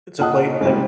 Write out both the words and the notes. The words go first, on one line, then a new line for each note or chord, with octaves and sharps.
to play, like,
A#2 D#5 F#5 A5
F#1 G#2 G3